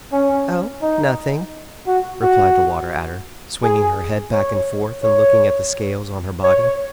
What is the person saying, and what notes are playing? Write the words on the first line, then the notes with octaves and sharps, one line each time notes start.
"Oh, nothing," replied the Water-Adder, swinging her head back and forth and looking at the scales on her body.
C#4
D#4
F#4
F#4
G#4
C#5
C#5
C#5